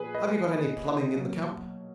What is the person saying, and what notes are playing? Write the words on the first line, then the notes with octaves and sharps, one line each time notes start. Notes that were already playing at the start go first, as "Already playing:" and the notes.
Have you got any plumbing in the camp?
Already playing: A#2 F3 B3 G#4 B4
B4 D#5
B2 F#3 A#3